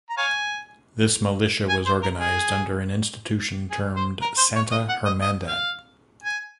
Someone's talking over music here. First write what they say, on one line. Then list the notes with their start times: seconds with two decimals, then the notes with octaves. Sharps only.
This militia was organized under an institution termed Santa Hermandad.
0.10 A#5
0.18 C#5 F5 G#5
1.69 G#5
1.86 C5
2.03 A#4
2.19 G#4
3.71 G#4
3.96 C5
4.22 A#4
4.38 C5
4.56 C#5
4.71 D#5
4.89 F#5
5.05 D#5
5.22 D#5
5.48 F5
6.24 G#5